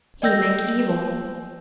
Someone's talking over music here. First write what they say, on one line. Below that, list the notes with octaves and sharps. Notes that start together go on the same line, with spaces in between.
He make evil.
D5 D#5 G5 E6 G6 A#6